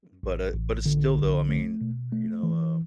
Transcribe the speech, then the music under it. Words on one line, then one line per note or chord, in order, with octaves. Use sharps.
But, uh but it's still, though, I mean, you know, uh,
A1
A1
D3
B1
A3
B2
A3
E3